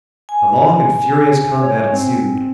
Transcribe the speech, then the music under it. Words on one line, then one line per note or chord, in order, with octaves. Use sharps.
A long and furious combat ensued.
G#5
C#5
C4